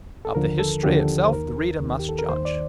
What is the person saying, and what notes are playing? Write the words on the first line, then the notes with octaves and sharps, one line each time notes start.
Of the history itself the reader must judge.
A4
D#2 D3 F3 A#4
A4
D#2 D3 F3 G4
A4
C5
D#2 D#3 A#4
D#2 D#3
G4
A4
A#4
D#2 D#3 C5
D5